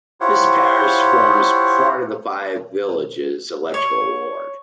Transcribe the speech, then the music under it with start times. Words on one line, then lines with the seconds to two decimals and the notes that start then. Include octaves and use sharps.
This parish forms part of the Five Villages electoral ward.
0.21 E4 F4 G4 C5 C#5 F#5
3.74 C#5